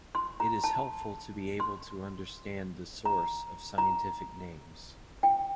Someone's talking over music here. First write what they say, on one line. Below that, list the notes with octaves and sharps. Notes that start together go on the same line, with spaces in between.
It is helpful to be able to understand the source of scientific names.
C6
A#5
A5
C6
A#5
A#5
G5